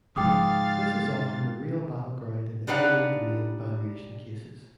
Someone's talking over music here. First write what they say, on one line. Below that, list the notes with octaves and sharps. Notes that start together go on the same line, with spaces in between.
This is often the real battleground in eminent domain valuation cases.
G#2 C#3 F3 F5 G5 D6 D#6 A6
G3 D4 D#4 B4 F5 F#5